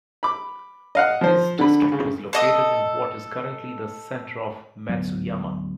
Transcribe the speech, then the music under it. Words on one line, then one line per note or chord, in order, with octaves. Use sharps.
This district was located in what is currently the center of Matsuyama.
B5 D6
D#5 F5 F#5
F3 C5
D3 B5
C#3
A4 D#5 D#6
D2 G#2 F#3 B3